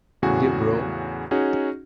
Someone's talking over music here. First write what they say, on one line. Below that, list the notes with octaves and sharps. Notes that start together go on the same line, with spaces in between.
The Bro.
E2 A2 C#3 F#4 G#5
C#4 D#4 F#4 G#4